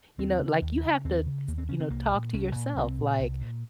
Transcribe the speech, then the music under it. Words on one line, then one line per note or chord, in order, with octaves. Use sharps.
you know, like, you have to s you know, talk to yourself like,
D#2 C4
C#3
D#2
C#3
D#2 C4
C#3
D#2 A#3
C4
C#3 C#4
C4
C2 A#3
A#2
C2 C#4
A#2
C2 C4
A#2
C2
A#2